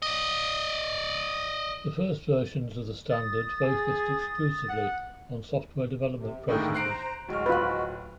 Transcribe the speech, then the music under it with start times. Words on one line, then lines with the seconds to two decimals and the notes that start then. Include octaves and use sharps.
The first versions of the standard focused exclusively on software development processes.
0.02 D5 D#5
3.10 D#6 A6
3.63 G#4
4.69 F#5
6.18 C3
6.48 A2 D3 D#3 A#3 G#4 G5
6.74 C5 A#5 F#6 C7 D7
7.29 D1 G#3 F#4 F6
7.46 F4 B4